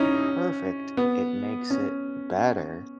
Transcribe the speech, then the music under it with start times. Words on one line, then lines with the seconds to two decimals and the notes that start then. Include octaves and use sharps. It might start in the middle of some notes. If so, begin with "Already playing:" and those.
perfect, it makes it better.
Already playing: C#4 D#4 E4
0.97 B3
1.70 C#4